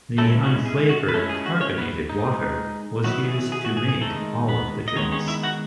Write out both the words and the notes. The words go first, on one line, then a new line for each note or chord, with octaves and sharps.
The unflavored carbonated water was used to make all of the drinks.
G#3 A3 C#4 E4 A4
F#4
G#4
F#4
B4
G#3 A3 C#4 E4 A4
G#4
F#4
C#4 C#5
B3 B4
G#3 D#4
D#3 F#3 B3 E4 F#4
G#4
G#4
F#4
G#4
G#4
D#3 G#3 A3 D#4 A4
B3 B4
D#5
D#3 G#3 B3 C#4 C#5
C#4 C#5
E4 E5
F#4 F#5